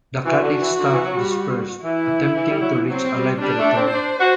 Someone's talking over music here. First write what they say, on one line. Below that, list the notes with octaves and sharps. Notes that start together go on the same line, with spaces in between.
The "Cadix" staff dispersed, attempting to reach Allied territory.
E3 F#4
D3
E3
D3
E3
F#3
G3
E3 E4
E3
G3
F#3
E3
F#3 C4
G3
G3 D4
A3
C4
D4 C5
F#4